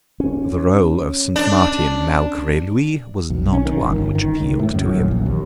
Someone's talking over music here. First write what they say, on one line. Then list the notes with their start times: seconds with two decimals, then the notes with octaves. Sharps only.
The rôle of Saint Martin malgré lui was not one which appealed to him.
0.20 C#4
1.36 D4
3.30 B1
3.53 C#4
3.65 D#3
3.81 G1
4.15 D#3
4.40 C#2
4.59 A2
4.74 F#2
4.95 D#1
5.11 A#1
5.26 D#2